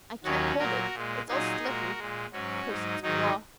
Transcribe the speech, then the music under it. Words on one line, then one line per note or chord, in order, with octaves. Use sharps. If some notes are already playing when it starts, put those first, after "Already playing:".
I can't hold it; it's all slippery. Curse its claw!
D#2 D#3 F#3 C#4 F#4
A#2 F#3 F#4 A#4
A#2 G#3
A#2 F#3 D#4 G#4
A#2 G#3 F#4 A#4
A#2 G#3
G#2 F#3 C#4 F#4
G#2 F#3 D#4
G#2 D#3 F#3 D#4